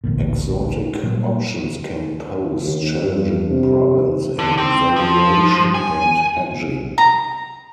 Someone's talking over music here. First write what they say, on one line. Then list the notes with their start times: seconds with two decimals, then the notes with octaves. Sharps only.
Exotic options can pose challenging problems in valuation and hedging.
0.04 A1 D2 A#2
1.03 A#2 F#3 G3 A#3
2.62 D#2
3.02 G2
3.50 C3
4.39 D3
4.58 C4
4.96 F3
5.74 G#5
6.98 A#5